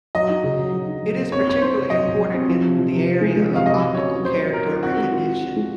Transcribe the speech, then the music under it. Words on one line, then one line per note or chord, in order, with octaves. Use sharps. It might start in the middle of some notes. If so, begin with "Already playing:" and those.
It is particularly important in the area of optical character recognition.
F#3 D#5
D#4
C#3
F#3
F#3
D#4
F#3
A#3
C4 C#5
C4 C#5
D#4 C5
C3
F#3 D#5
F#3
F#3
C4
F3
C3
F3
C3
C3
G#3
G#3
C3 F5
F#3 D#5
F#3
C#4 C#5
F#3
F#3 C5
F#3
F#3 A#4
F4
C4 F#4
G#3
F4
F4
F4
G#3